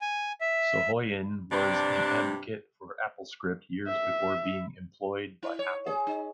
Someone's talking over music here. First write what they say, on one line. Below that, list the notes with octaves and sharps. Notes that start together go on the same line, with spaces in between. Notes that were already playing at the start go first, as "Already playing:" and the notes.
Soghoian was an advocate for AppleScript years before being employed by Apple.
G#5
E5
G2 C3 D4
E5
E4
C#5
G#4
D#4